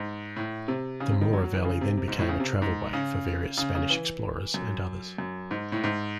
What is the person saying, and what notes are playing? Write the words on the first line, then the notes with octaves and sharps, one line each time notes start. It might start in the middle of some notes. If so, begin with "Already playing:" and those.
The Mora Valley then became a travel-way for various Spanish explorers and others.
Already playing: G#2
A2
C3
C#3
C3
D#3
F#3
F#3
E3
C#3
C3
C3
G#2
A2
C#3
C3
G#2
C#3
C#3
C#3
E3
F#2
F#2
G#2
A2
G#2